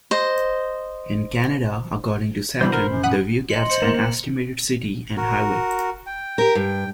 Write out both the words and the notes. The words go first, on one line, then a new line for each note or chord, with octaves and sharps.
In Canada, according to Saturn, the Vue gets an estimated city and highway.
C5 D#5
B2 D3 E3 G3 C5 B5
A#4 F#5
F#2
F#5 B5 D#6 F#6
D#5 C6 C#7 F#7
C5 C#7 F#7
A#3 E7
F#4 A#4
G5
G4 A#4
G2